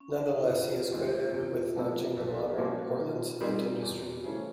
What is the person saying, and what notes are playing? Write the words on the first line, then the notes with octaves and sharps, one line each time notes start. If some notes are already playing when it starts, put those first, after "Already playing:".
Nonetheless, he is credited with launching the "modern" Portland cement industry.
C#4
D4
D#4
E4
F1 F4
D#2 D#3 G#3
E2 F4
E4
F4
C3 F3 A3
B1 G4
A4
G#4
A#2 F3 A#3 C#4 G4
F#4
D#3 F4
G3 C4 D#4 G#4
E2 G4
F#4
C#3 E3 A3 C#4 C5